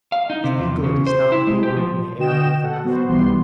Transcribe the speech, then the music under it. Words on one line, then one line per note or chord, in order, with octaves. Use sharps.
The eaglet is not born in the eyrie for nothing.
F5
D#4
C3
E2
C#3
C5
E4
G#3
G4
F3
D3 F#4 D#5 G5 E7
F#4 A4 F#5
F#3 B3 F#4 C5
B1 E3 G3 B3 G4 C6